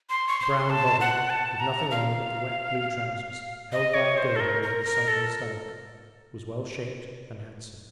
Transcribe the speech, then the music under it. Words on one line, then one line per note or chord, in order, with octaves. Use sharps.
The brown body, with nothing on but the wet blue trousers held by a girdle over the sunken stomach, was well shaped and handsome.
C6
C#6
C6
A5
F#5
A5
A#5
F5
D#5
C#5
C5
A4
A#4
A#4
A#4
A4